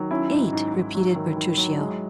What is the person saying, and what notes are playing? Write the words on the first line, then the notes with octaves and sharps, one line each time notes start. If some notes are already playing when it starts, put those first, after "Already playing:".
"Eight!" repeated Bertuccio.
Already playing: D#3 F#3
C#4 E4
G#2
G#2
G#2
F#3
D#3
D#3
F#3
G#3